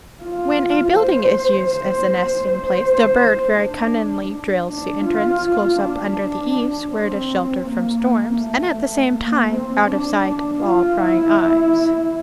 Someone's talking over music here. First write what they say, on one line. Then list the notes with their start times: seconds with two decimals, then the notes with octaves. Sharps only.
When a building is used as a nesting place, the bird very cunningly drills the entrance close up under the eaves, where it is sheltered from storms, and at the same time out of sight of all prying eyes.
0.23 F4
0.97 C5
1.72 C5
2.45 C5
3.57 D4
4.69 D4
5.05 F4
5.81 D4
6.91 C4
7.66 A#3
8.40 A3
9.15 A#3
9.52 C4
9.89 D4
10.27 D4
10.63 F4
11.00 E4